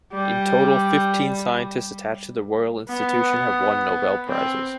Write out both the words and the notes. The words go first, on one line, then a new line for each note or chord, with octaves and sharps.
In total fifteen scientists attached to the Royal Institution have won Nobel Prizes.
G3
B3
C4